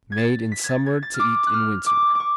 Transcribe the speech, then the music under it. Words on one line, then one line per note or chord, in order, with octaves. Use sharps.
Made in summer to eat in winter.
G#6
A6
B6
G#6 A6
G#6
A6
F6
D6
F#6
F6
D6
C#6 D6